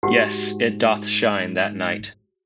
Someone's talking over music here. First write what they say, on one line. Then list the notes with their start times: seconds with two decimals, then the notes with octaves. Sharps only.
Yes, it doth shine that night.
0.03 G#2 F#4 G4 F#5